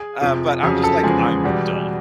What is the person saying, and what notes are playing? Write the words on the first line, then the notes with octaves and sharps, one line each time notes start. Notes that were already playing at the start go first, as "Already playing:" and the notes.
Uh, but I'm just like, "I'm done,"
Already playing: G#4 G#5
F2 C3 F3
F2 C#3 F#3 G#4 G#5
A4 A5
E2 C#3 F3 G#3 G#4 G#5
E2 B2 G3